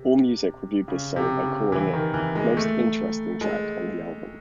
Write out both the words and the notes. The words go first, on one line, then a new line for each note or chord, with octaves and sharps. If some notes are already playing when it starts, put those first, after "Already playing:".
AllMusic reviewed this song by calling it "most interesting" track on the album.
Already playing: C3
C#3
C3
C#3
E3
D#3
E3
G#3
A3
G#3